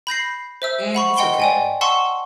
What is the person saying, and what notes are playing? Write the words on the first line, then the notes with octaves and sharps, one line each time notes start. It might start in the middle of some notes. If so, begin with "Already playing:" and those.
Yeah, it's okay.
B5 G6 A#6 C7
C5 E5 E6
F#5 B5 C#6
D#5 F#5 G5 C6 G7
D5 G5 G#5
F#5 A5 C6 C#6 E6